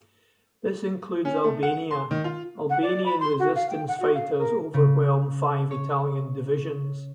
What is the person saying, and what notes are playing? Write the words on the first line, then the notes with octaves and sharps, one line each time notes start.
This includes Albania; Albanian resistance fighters overwhelm five Italian divisions.
C#4
A3
F#5
C6
D#3
F4
F#5
D5
B5
C6
F#4
F5
G5
F#5
F#4
F5
A#4
C#3
C#5